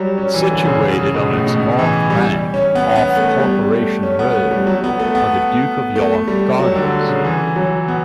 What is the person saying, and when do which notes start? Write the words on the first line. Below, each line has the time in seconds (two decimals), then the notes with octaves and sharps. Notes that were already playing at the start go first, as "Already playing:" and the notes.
Situated on its north bank, off Corporation Road, are the Duke of York Gardens.
Already playing: F#3 G3
0.18 C#4
0.34 E3
0.51 D3
0.66 C#3
0.82 C#3
0.98 C#3
1.14 B2
1.31 A2
1.47 B2
1.79 E3
2.10 G3
2.54 C#4
2.75 B3
2.96 B3
3.17 A3
3.40 G3
3.71 A3
4.03 C#4
4.19 B3
4.35 A3
4.51 G3
4.67 F#3
4.84 B3
4.99 A3
5.15 B3
5.96 A3
6.28 G3
6.59 F#3
6.75 D3
7.08 C#3
7.25 E3
7.56 F#3
7.88 B3